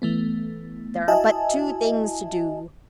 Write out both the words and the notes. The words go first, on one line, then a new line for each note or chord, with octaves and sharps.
There are but two things to do.
E3 A3 B3
E4 F#4 D#5 E5 G#5 A5